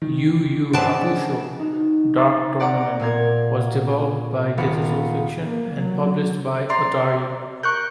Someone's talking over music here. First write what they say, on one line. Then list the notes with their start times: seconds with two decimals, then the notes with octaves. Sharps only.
"Yu Yu Hakusho: Dark Tournament" was developed by Digital Fiction and published by Atari.
0.02 D#3
0.73 C#3 B3 C4 D4 E4 B4 D5 A5
1.59 D#4 F#4
2.17 A5 C6 C#6
2.60 D5 F#5 A#5 D6
3.00 A#2 A#3 A#4 G#6
4.58 D#1 B3 F5 B5 C#7
5.45 A#3
5.76 F#3
6.69 D5 A#5 C6
7.63 A#4 C#6 F#6 G6